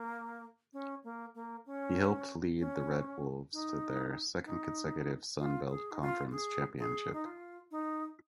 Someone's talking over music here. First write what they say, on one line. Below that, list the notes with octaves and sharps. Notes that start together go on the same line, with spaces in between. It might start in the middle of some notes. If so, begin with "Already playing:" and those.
He helped lead the Red Wolves to their second consecutive Sun Belt Conference championship.
Already playing: A#3
C#4
A#3
A#3
C#4
C#4
D#4
D#4
F4
G#4
D#4
F4
G#4
G#4
D#4
F4
D#4